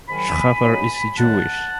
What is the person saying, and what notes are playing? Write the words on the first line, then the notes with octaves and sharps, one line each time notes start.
Schafer is Jewish.
G#2 D#3 F#3 G#5 B5
B2 F#3 B3 D#4
F#2 D#3 G#3 F#5 A5